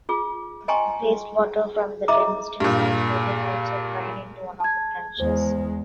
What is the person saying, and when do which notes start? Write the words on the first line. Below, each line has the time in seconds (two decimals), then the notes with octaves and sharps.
Waste water from the Domestic Science building also drained into one of the trenches.
0.09 F4 G#4
0.68 D#5 G5 G#5 A#5 C6 C#6
2.08 E4 D#5 E5 A#5 D6
2.60 G2 A#2
4.60 A5 G#6
5.20 E2 G#3 C5